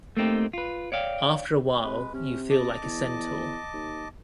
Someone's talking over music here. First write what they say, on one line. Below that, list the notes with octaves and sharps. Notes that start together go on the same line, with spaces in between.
After a while you feel like a centaur.
A3 A#3 C4 D#4 G4
F4 B4
C#5 D5 F5 G5
C3 G#3 B4
C3 C#4
D#5 A5 D6
E2
D#2